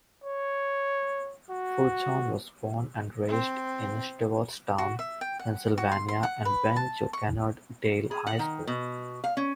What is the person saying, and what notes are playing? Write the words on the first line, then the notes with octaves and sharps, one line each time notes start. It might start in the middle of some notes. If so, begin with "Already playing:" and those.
Fulton was born and raised in Stewartstown, Pennsylvania and went to Kennard-Dale High School.
C#5
F#4
C4
F#4
E5
G5
F#5
F#4
C6
C6
F#5
B4
A5
C#6
G#4
F#5
D#3
B2
F5
C#4